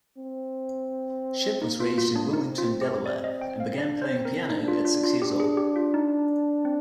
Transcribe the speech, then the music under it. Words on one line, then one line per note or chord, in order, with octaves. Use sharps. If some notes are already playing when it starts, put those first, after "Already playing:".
Shipp was raised in Wilmington, Delaware, and began playing piano at six years old.
C4
A#3 D#4
F4
F4
D4
C4 D#4
F4
G4
D5
D#5
G5
F5
D4 D5
C5
C4
A#4
D4 D#4
F4
F4
F4
D4 G4
G#4
G4
F4
D#4
C4